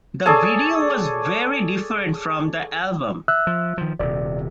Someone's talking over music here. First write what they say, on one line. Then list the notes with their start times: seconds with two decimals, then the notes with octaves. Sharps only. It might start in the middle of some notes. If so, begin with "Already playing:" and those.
The video was very different from the album.
0.26 G#4 A4 C#5 D5
3.28 E5 E6 F#6
3.47 F3
3.78 D#3 F3
4.00 D#1 C3 D5